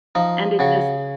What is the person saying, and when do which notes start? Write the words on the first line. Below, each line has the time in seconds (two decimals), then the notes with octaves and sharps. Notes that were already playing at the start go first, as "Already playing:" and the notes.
and it just
0.15 F3 D#4
0.59 C#3 F#4